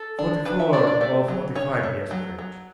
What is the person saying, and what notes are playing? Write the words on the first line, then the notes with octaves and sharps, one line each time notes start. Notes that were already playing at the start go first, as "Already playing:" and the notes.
"Forty-four or forty-five years of age."
Already playing: A4
D4
D4 B4
E5
D4 D5
D5
A3 D5
F#3
C#4 C#5
A3
F#3
F#3